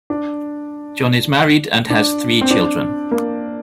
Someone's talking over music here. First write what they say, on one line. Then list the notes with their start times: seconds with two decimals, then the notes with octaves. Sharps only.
John is married and has three children.
0.10 D4
1.90 D4
2.41 C4
2.51 D4
3.11 A#3